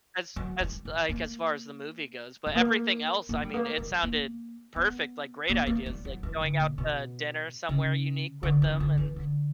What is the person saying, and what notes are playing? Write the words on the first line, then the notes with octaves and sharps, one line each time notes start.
as as, like, as far as the movie goes, but everything else, I mean, it sounded perfect, like great ideas, like going out to dinner somewhere unique with them and,
F#3
G3
G3
A#3
G3
A#3
A#3
G3
A#3
G3
A#3
B3
A#3
A#3
G3
F#3
E3
D3
A#2
B2
C#3
D3
E3
C#3
D3
E3
D3